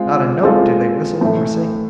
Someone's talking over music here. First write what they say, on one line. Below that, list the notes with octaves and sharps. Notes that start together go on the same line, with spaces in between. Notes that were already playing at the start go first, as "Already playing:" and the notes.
Not a note did they whistle or sing.
Already playing: G#3 C4 F4
G#3 C4 F4 A4
A2 E3 A3